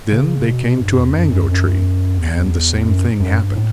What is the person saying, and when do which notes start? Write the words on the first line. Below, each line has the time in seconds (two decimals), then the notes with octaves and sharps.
Then they came to a mango tree and the same thing happened.
0.12 C#3
0.47 B2
0.81 G2
0.98 E2
1.14 F#2
1.31 F#2
1.49 F#2
2.18 E2
2.86 F#2
3.20 F#2
3.38 G2
3.55 A2